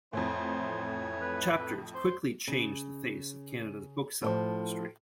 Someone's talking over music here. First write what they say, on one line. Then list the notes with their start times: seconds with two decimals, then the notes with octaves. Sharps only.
Chapters quickly changed the face of Canada's book selling industry.
0.13 F2 A2 E3 A3 C5 C#5
1.21 B4
1.94 C5
2.47 C#3
4.22 A2 F3